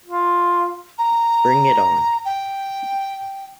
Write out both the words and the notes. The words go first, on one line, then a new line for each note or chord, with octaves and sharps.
Bring It On!
F4
A#5
G5